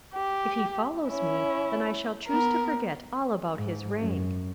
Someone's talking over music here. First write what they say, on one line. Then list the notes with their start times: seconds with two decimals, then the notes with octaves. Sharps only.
If he follows me then I shall choose to forget all about his rank.
0.14 G4
1.08 C#4 E4
2.27 B3 A#4
3.56 G#2
4.00 F#2